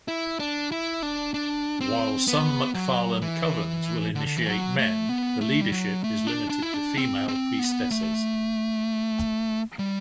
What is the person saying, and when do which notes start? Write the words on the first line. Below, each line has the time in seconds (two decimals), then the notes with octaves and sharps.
While some McFarland covens will initiate men, the leadership is limited to female priestesses.
0.08 E4
0.40 D4
0.72 E4
1.02 D4
1.34 D4
1.81 C4
2.28 B3
2.75 F#3
3.22 E3
4.15 D3
4.26 D3
4.37 E3
4.46 F#3
4.79 A3
5.09 B3
5.41 A3
5.61 G3
5.72 F#3
6.04 A3
6.27 D4
6.50 D4
6.62 E4
6.74 D4
6.97 C4
7.28 C4
7.59 B3
7.91 A3
9.79 G3